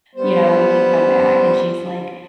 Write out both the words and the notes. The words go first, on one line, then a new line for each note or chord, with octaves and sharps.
you know, we can come back." And she's like,
G3 B3 C5